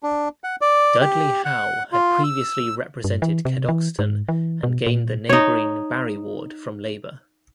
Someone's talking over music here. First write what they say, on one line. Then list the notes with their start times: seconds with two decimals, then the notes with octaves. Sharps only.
Dudley Howe had previously represented Cadoxton and gained the neighbouring Barry ward from Labour.
0.03 D4
0.44 F#5
0.61 D5
1.01 G4
1.45 F#5
1.92 F4
2.24 E6
3.04 G2
3.22 E3
3.45 C3
3.69 E3
3.99 G#2
4.29 E3
4.63 B2
4.87 A#2
5.29 D#4 C#5